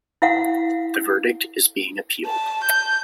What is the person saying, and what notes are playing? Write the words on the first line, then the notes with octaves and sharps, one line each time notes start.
The verdict is being appealed.
E4 F5 F#5
A5
G6